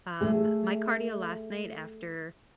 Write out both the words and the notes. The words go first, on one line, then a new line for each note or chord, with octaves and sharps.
Um, my cardio last night after
A3 G#4